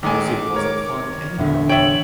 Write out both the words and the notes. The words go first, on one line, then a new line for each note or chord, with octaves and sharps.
Music wasn't fun any more.
A1 D#3 G#3 G#5 D6
A#4 C#5
D#1 E2 D3 E5
C2 C#5 D5 E5 G5 F#7